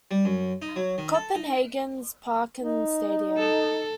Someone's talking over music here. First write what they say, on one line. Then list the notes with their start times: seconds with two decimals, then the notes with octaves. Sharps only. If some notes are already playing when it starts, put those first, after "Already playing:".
Copenhagen's Parken Stadium.
0.11 G3
0.25 F#2
0.62 D#4
0.76 F#3
0.98 D#3
1.14 A4
1.35 D#4
2.61 D#4
3.37 A4